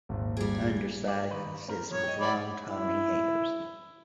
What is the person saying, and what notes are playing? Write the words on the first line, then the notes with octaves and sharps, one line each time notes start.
Underside consists with long tawny hairs.
G#1 D#2 A#2
G3 G#4
D5
D#3 B4
C4 A#4
G2 B2 F3 C#5
D#5 G5
D5 B5
E4